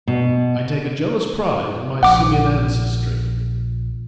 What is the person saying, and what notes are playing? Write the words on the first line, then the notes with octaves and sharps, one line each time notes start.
I take a jealous pride in my Simian ancestry.
B2
A#1 F#5 D6